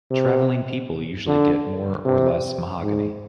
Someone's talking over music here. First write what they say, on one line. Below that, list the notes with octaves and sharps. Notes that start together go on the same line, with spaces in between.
Travelling-people usually get more or less mahogany.
C3
D3
C3
G#2